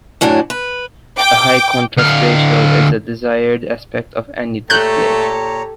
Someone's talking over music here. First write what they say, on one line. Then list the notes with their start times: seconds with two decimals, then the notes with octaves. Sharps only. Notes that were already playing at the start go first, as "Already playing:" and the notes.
A high contrast ratio is a desired aspect of any display.
0.21 F#2 A2 F#3 D4
0.50 B4
1.18 G5 D6
1.98 D2 F5
4.70 A#2 A3 G4 A4 C#5 A#5 F#6 G6